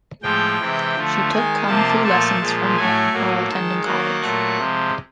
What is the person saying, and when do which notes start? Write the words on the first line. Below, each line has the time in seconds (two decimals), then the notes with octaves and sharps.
She took Kung Fu lessons from him while attending college.
0.22 A2 F3 G#3 G5
0.59 C3 E3 G#3
0.95 D3 F3 A3
1.31 D#3 G#3 G#5
1.67 C3 F3 A#3 A5
2.03 A#2 F3 A3 A5
2.40 A#2 F3 G#3
2.77 A2 F#3 A3 G#5
3.12 A2 F#3 A#3
3.49 D#3 G#3 A5
3.85 D#3 F#3 A#3 F#5
4.21 A#2 F#3 A3
4.58 C3 F3 G#3